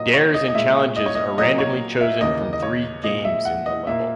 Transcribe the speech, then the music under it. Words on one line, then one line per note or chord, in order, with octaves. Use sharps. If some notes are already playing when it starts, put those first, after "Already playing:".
Dares and challenges are randomly chosen from three games in the level.
Already playing: A#2 F#3 A#3 D#5
C#5
D#5
D#5
A#2 G#3 E5
D#5
C#5
D#5
A#2 F#3 A#3 D#5
C#5
E5
D#2 C#3 E3 A#3 D#5
D#5
C#5
A#2 G#3 D#5
E5
F#5
D#5
A#2 A#3 E5